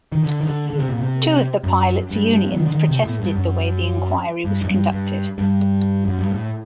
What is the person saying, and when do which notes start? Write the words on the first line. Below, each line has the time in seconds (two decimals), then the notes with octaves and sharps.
Two of the pilots' unions protested the way the inquiry was conducted.
0.12 D#3
0.23 D3
0.40 D#3
0.47 D3
0.70 D3
0.79 C3
0.89 A#2
0.98 C3
1.63 F#2
2.10 G2
2.51 F#3
2.57 D#3
2.65 D3
2.72 D#3
2.88 C3
3.04 A2
3.20 G2
3.35 F#2
4.44 G2
4.62 F#2
4.68 G2
4.91 G2
5.38 G2
6.05 F#2
6.18 G2
6.31 A2